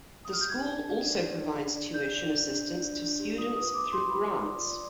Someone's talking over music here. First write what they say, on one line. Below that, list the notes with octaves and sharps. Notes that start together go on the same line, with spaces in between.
The school also provides tuition assistance to students through grants.
D#6
F6
G6
G4 G#6
D5
D4
D5
G4
D4
D4
D5
D5 G6
D5
D4
D4
D5
D4
D4
G4
F4 D#6
B4 D#6
B4 D6
F4 C6
F4 B5
D5
F4
D5